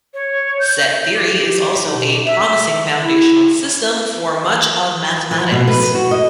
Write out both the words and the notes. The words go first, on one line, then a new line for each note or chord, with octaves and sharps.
Set theory is also a promising foundational system for much of mathematics.
C#5
G6
G4
G4
D#4
B2
E5
D3
E4
F3
B2
B4
F#4
D#5